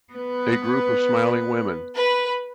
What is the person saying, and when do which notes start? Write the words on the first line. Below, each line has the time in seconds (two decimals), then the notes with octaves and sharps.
A group of smiling women.
0.13 B3 B4
1.95 B4